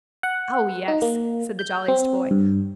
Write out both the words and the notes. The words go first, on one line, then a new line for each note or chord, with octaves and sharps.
"Oh, yes," said the jolliest boy.
F#5
D#4
A#3
G6
C4
G2